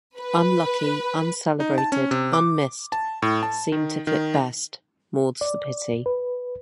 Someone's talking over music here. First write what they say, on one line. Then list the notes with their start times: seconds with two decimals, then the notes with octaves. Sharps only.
Unlucky Uncelebrated Unmissed seem to fit best, more's the pity.
0.19 B4
1.60 D#4
1.78 A5
1.92 C#4
2.11 C3
2.33 D6
2.92 A5
3.22 A2
3.43 A5
3.72 D#3
4.07 D#3
5.41 D5
6.06 B4